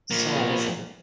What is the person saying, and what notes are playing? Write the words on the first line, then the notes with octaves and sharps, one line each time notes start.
so I was, like,
F3 A#3